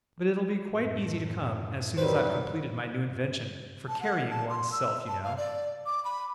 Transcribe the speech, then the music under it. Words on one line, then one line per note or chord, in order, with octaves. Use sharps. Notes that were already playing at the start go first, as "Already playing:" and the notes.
But it'll be quite easy to come, as soon as I've completed my new invention--for carrying one's-self, you know.
F#2 A2
D#3 F#3 G3 B4 C5
A5
F#5
A5
C6
E6
A5
F5
D5
D6
B5